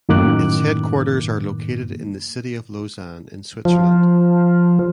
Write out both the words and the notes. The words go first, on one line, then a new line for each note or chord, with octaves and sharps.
Its headquarters are located in the city of Lausanne in Switzerland.
F#2 A2 D#3 A#3 D6 F#6
F3